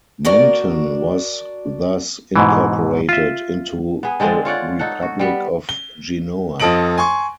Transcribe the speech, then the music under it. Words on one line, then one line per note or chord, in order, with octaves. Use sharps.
Menton was thus incorporated into the Republic of Genoa.
D4 F#4 A#4 D5
G#2 B2 E3
F4 E5
B3 G#4
D3 G#3 C4 D4
F4 C#5 D5 F#5
D#4 A4 F#5
F#4
G3 B3
G7
F2 F3 A4 D#5 D7 F#7
G#5 C6 C#6